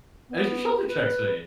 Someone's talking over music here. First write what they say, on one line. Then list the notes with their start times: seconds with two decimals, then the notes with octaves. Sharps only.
And she shoulder checks me.
0.29 B3
0.70 F4
0.87 B4